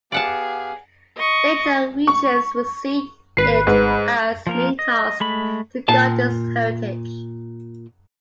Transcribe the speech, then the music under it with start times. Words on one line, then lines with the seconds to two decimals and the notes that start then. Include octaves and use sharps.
Later regents would see it as main task to guard this heritage.
0.12 B3 G4 G#4 D5 F5 F#5 A5
1.17 D#5 C#6
2.07 C#6
3.37 G#1 B4 C7
3.67 G#2
4.47 F3 A#3 A#4
4.79 D#5
5.20 G#3 A3 B5
5.88 A#2 A5